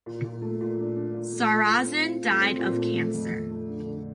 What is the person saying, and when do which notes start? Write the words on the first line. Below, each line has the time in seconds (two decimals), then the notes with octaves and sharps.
Sarrazin died of cancer.
0.06 A#2
0.24 A#2
0.42 A3
0.61 A#2
0.79 D4
0.96 D4
1.14 A#2
1.33 A3
1.51 F4
1.69 F4
1.87 C4
2.05 F4
2.23 A3
2.41 C4
2.59 A#2
2.78 A3
2.96 A3
3.14 F2
3.31 F2
3.51 A3
3.69 D3
3.87 D3